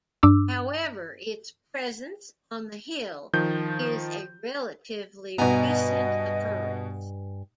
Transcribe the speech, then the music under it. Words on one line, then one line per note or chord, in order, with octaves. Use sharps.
However, its presence on the hill is a relatively recent occurrence.
G2 D4 D6 E6
D#3 F3 G6
G2 B2 B3 D#5 G#5 A#5